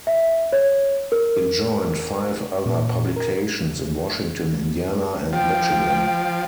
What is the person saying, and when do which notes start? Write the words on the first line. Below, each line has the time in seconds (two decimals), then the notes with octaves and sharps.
It joined five other publications in Washington, Indiana, and Michigan.
0.07 E5
0.53 C#5
1.12 A#4
2.66 A#2
3.16 A#4
5.33 F3 G5